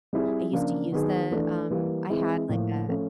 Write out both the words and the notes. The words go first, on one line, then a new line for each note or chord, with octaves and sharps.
I used to use the, um I had, like, a
G3 C4 E4 G#4
C#3 F3 A#3 D4
D#3 F#3 B3 D#4 G#4
E3 A3 D4
E3 G3 A#3
E3 G#3 C4 E4 G#4
A2 F3 A#3
F3 A3 C#4